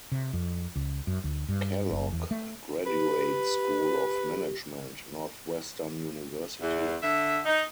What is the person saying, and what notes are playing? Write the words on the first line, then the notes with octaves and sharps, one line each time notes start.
Kellogg Graduate School of Management, Northwestern University.
C3
F2
C#2
F#2
D2
G2
F#1
E2
A3
G4 B4
E2
D3 E5
D#4